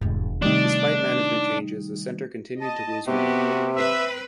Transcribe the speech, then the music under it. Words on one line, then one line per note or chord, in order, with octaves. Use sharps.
Despite management changes, the center continued to lose money.
E1 D#2 G#2
C3 D#3 G3 A3 D4 D#4
D#5 A5
C3 B3 F#4 G4
C4 B4 E5